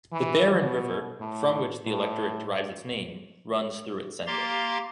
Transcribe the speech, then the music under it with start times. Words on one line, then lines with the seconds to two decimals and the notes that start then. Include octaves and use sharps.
The Barron River from which the electorate derives its name runs through its centre.
0.12 E3
0.62 B2
1.20 A2
1.85 A2
4.27 A#3 G4 F5 A#5 C6 A6